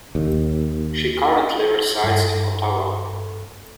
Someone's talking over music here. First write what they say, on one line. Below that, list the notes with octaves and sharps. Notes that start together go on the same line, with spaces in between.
She currently resides in Ottawa.
D#2
G2 A4